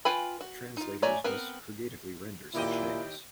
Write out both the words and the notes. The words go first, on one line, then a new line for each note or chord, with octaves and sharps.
Translators must creatively render such names.
F4 B4 G5 G#5 B5
F#4
D#4 F4
A3 C#5 D5 G#5 A#5
B3 C4 A#4 B4
D#2 A#2 E4 G4 D#5